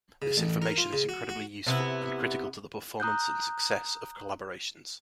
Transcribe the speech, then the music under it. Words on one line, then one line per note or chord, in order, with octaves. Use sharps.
This information is incredibly useful and critical to the performance and success of collaborations.
C#3
A1
A#4
F4
C#3
F#4
F#4
C3 B3 E4
A#5 D#6 F#6 G6